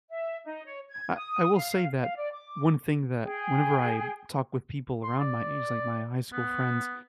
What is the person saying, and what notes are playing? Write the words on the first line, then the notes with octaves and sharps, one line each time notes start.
I I will say that one thing that whenever I talk with people around my age, like my high school friends,
E5
D#4
C#5
G#6
D#6
F5
F5
D5
D6
G#4 G5
C6
D5
B3